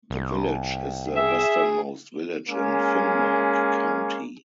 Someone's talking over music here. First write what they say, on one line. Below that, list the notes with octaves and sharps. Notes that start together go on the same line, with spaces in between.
The village is the westernmost village in Finnmark county.
C2
G#4 E5
G#3 A#3 C#4